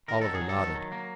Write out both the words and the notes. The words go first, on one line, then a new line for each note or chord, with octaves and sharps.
Oliver nodded.
D#3 A#4
F#3 A4
G#4
F#3
A4
D#3
F#3
A#3